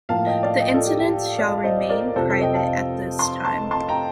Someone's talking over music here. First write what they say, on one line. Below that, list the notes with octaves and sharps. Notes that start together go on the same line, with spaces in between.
The incidents shall remain private at this time.
A2 F3 A#3 F5 A5
D#5 G5
D5 F5
D#5 G5
F4 A4
G4
G4
D5 F5
C5 D#5
A#4 D5
F2 C3 F3 A4 C5
A4 C5
D#5 G5
F5 A5
A5 C6
A5 C6
A5 C6
G5 A#5